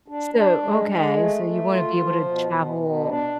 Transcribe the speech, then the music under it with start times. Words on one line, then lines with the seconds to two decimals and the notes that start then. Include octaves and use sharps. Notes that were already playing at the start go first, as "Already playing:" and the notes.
So, okay, so you wanna be able to travel
0.08 D4
0.35 D4
0.62 G#3
0.89 G#3
1.17 A3
1.44 A3
1.70 F4
1.97 F3
2.24 B2
2.52 B2
2.78 B2
3.06 D4